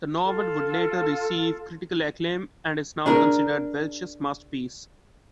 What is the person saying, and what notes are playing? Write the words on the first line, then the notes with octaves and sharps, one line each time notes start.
The novel would later receive critical acclaim, and is now considered Welsh's masterpiece.
F4 A4
D4 G#4 A#4